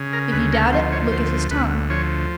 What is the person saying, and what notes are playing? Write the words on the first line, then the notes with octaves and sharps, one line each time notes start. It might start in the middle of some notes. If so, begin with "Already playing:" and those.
If you doubt it, look at his tongue.
Already playing: C#3
A#4
D2 B4
A#4
F3 C5
C#5
D2 C5
D2 B4
F3 C#5